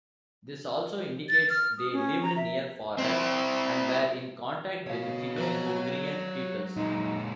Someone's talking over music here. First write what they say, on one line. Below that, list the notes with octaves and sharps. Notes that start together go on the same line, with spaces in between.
This also indicates they lived near forests and were in contact with Finno-Ugrian peoples.
A6
F6
D#6
C#4
A#5
E5
C4 E4
B2 C#5 F5
F#3 A#5
A#2 G#3 D#4